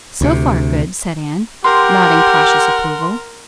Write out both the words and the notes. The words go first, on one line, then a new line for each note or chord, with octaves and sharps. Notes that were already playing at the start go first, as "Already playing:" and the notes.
"So far, good," said Anne, nodding cautious approval.
D2 C3
G4 A#4 F#5 C6